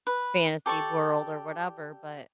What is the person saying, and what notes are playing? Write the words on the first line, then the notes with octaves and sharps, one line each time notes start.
fantasy world or whatever, but
B4
G4 A4 D5 C#6